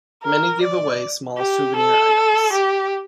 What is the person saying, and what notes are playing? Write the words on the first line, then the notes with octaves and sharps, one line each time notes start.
Many give away small souvenir items.
A#4
D5
G4
A4
G4